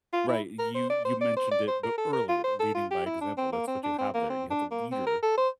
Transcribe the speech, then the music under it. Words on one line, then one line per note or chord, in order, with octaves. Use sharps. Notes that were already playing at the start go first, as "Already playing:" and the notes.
Right, you you mentioned it but earlier, leading by example, that's what you have there, you have a leader,
F4
E4
A#4
C5
D5
C5
D5
C5
D5
C5
A#4
A4
A#4
F4
C5
A4
F4
G4
E4
D4
C4
A#3
C4
D4
C4
A#3
C4
D4
A#3
C4
A#4
A4
C5